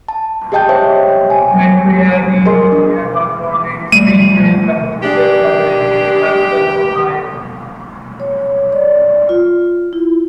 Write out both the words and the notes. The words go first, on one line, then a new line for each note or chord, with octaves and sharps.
McCreary Junior was born in Springfield, Massachusetts, and raised in Hudson, Ohio.
A5
G4 G#4 D#5 G5 A5 G6
G4 C5 C#5 D#5 E5 G5
G#5
G#4 A#4 D#5 C6
D4
G3 A3 D#7
D4 G4 G#4
C#5
D5
F4
E4